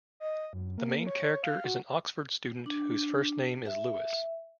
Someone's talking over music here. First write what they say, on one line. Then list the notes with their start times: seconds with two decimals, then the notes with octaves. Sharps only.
The main character is an Oxford student whose first name is Lewis.
0.20 D#5
0.53 F#2
0.78 A#3
1.07 C#5
1.43 F5
1.64 F#4
2.66 D4
3.66 E5
3.87 E5